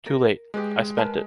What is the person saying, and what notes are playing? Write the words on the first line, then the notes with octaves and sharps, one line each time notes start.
Too late. I spent it.
A#4
G#3 G4 B4 D#5
A#4 B4 A5